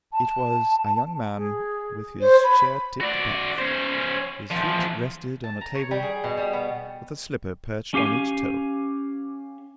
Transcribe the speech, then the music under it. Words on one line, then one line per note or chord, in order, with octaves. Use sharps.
It was a young man with his chair tipped back; his feet rested on a table, with a slipper perched on each toe.
A5
G#4
C5 C#5
B5
F#4 D5
C#4 C5
E2 F3
A5
A#5
C#5
G3
G#4
B2
G3
B3
C#4 G4 F5 G#5